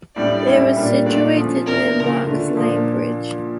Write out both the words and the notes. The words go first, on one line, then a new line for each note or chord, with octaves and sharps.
It was situated near Marks Lane bridge.
A2 G3 D4 D5
A2 G3 C#4 E4
A#2 G3 A#3 D4
A#2 A3 D4 D5
F3 C#4 F4
E3 A#3 D4 A#4
C#3 F3 C#4
D3 A3 D4 F4
A#2 F3 A#3 D4